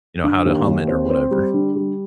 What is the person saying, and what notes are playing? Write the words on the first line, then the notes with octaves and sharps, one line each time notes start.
you know, how to hum it or whatever.
D3
D#2
D#2
C4
C4
G3
D3
G3